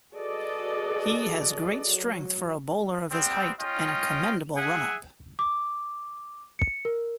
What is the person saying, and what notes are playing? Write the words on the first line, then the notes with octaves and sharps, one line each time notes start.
He has great strength for a bowler of his height and a commendable run-up.
F#4 G#4 A4 B4 D5 D#5
F#3
G3 B3 C4
C#4 F4 D#5 G5
G#4 E5 F#5 G#5
D6
C#7
A#4